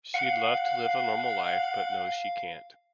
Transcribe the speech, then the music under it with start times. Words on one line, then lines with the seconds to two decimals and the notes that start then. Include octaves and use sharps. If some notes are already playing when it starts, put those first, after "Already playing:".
She'd love to live a normal life, but knows she can't.
0.14 F5 F#5